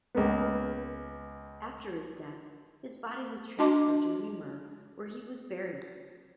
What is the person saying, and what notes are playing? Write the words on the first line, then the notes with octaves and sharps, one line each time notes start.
After his death his body was transferred to Weimar where he was buried.
C#2 A#3 B3
D4 F#4 D#5 A5 C6 D6